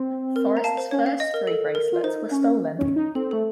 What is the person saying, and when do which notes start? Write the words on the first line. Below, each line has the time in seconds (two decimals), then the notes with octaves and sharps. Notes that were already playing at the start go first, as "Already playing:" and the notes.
Forrest's first three bracelets were stolen.
Already playing: C4
0.36 A#4
0.57 A#5
0.64 F5 A5
0.77 C5
0.91 C#4 C#5
1.06 F5
1.20 D#5
1.34 A#4
1.47 A4
1.75 A#4
1.92 F4
2.03 D#4 C5
2.31 C#4
2.79 C#4
2.96 D#4
3.15 C4 A4
3.31 A3 A4